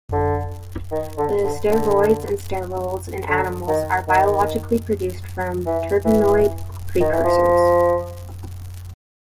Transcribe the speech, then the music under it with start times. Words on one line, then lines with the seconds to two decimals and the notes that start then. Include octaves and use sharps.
The steroids and sterols in animals are biologically produced from terpenoid precursors.
0.12 D3
0.91 D#3
1.18 D3
1.44 D3
1.70 D3
3.28 D3
3.68 D#3
4.08 D#3
5.66 E3
6.05 E3
7.00 D#3
7.12 E3
7.24 F3